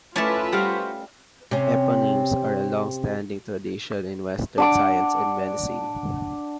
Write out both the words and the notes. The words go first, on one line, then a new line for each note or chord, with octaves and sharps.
Eponyms are a longstanding tradition in Western science and medicine.
A3 C#4 E4 F4 B4 D5 E5 A5
G3 F#4 C5 F5
C3 C#4
D4 F#5 D6